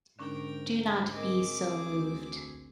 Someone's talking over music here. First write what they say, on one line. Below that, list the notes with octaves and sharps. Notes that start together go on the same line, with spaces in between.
Do not be so moved.
G#2 D3 C#4 D4 A#4 G5
C4 G#4 A#4 D#5 D6
D2